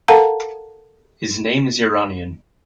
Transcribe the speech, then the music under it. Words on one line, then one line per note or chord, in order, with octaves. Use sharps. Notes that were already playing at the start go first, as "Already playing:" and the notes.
His name is Iranian.
A4 A#4 F5 F#5 A5 A#5